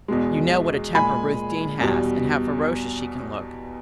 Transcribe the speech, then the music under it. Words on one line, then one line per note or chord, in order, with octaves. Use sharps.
You know what a temper Ruth Deane has and how ferocious she can look?
E2 B2 G#3
A#2 G#3 G#5 B5
E2 B2 G3